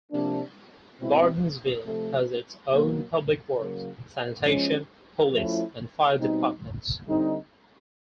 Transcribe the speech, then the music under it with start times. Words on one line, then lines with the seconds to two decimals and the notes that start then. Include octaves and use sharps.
Gordonsville has its own public works, sanitation, police, and fire departments.
0.11 C3 F3 A#3 D4
0.98 B2 G#3 C4 E4
1.84 C3 F3 A3
2.72 B2 F#3 A#3
3.59 C#3 F#3 A#3
4.45 F3 G#3 C#4
5.33 F3 A3 C#4 E4
6.19 B2 G3 C4 D#4
7.06 D3 G3 C4 D#4